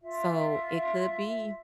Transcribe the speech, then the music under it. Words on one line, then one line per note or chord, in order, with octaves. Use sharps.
So, it could be,
F4 E5